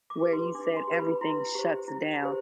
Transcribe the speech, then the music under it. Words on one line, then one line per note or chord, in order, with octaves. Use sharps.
where you said everything shuts down,
D6
G4 B4
C6
D4 D6
C6
G4 B4
B5
E4 C6
G4 C5
E4
G4 C5